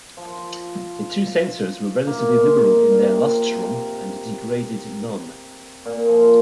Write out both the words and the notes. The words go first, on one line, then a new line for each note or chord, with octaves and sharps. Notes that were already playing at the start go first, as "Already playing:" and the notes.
The two censors were relatively liberal in their "lustrum" and degraded none.
F3
A#3
A#3
G#3
A#2
C3
A#2
F3